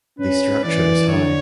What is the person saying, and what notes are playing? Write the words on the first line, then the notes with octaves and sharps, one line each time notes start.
The structure is high.
C#4 B4
E3 D5
D3 C#5